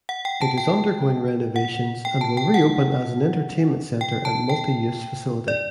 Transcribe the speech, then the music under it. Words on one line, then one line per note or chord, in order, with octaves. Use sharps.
It is undergoing renovations and will re-open as an entertainment center and multi-use facility.
F#5
G5
A5
G5
F#5
G5
A5
G5
F#5
G5
A5
G5
D5